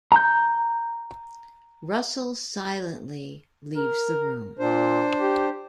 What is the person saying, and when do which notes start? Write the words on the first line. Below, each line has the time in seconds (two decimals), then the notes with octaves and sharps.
Russell silently leaves the room.
0.12 A#5 G6
3.76 A#4
4.59 A#2 D4 C5
5.19 G4